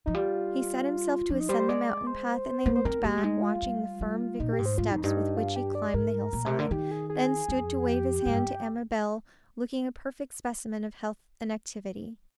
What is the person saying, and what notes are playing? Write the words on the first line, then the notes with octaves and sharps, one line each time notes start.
He set himself to ascend the mountain path, and they looked back, watching the firm vigorous steps with which he climbed the hill side, then stood to wave his hand to Amabel looking a perfect specimen of health and activity.
F3 D#4
G3 F4
F3 D4
D#4
G3 C5
C5
G#3 D5
C5
A#3
C5
C4 A#4
A#3 G4
G3
G#3 D#4
F4
G3
G3
A#2 D#4
G4
G#2
C5
G#2 F4
F2 D#4
G2 D#4
D#4
F4
G4
D5
G#2 A#4
A#2
C3
D3
D#3 G4
G#4
G#4
F2
G4
G#2
G2